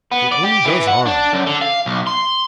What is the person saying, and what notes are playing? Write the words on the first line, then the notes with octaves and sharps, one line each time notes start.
It only does harm.
B3
D5
G4
E3
F#5
D4
F#2
D3
F5
B1
C6